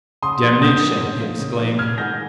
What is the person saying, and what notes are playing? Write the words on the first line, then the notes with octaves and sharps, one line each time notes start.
"Damnation!" he exclaimed.
C#3 C6 D#6
F3 A#3 D#4
C#3 D#6 G6
F3 A#3 D#4
C#3
F3 A#3 D#4
C#3
F3 A#3 D#4
C3 F6 G#6
D#3 G#3 D#4 G6 A#6